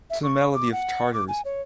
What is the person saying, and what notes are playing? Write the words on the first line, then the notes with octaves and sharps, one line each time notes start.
To the melody of Chartres.
E5
C#6
D6
F#5
D6
G#5
C#5